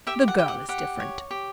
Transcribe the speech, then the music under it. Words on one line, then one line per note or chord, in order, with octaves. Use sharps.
The girl is different.
G4 E5 G5
F#5
G4 G5
F#5
G4 F#5
C#5
G4